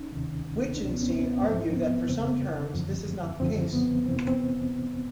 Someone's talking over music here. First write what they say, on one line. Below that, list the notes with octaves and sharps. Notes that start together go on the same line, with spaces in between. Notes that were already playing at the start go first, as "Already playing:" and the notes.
Wittgenstein argued that for some terms this is not the case.
Already playing: C#4 D#4
D2 C3 D#3
C#2 B2 C4 D4
B3 C#4
C4
B3
G#2 F3 C4
B3
F2 C#3 E3 C4
F#2 D3 F3
F#2 D3 F3 C4
B3
F2 C3 E3 C4
B3
C4